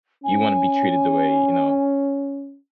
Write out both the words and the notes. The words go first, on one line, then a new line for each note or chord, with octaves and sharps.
you wanna be treated the way, you know,
C#4 G#5